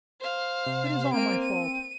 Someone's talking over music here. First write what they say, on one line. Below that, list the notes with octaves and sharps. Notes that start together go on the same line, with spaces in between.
It is all my fault.
C5 F5
C3
A#3 C4 D7
D#7